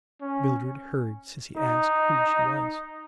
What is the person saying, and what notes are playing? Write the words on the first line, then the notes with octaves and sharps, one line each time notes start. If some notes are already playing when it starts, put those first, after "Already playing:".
Mildred heard Cissy ask who she was.
C#4
D#4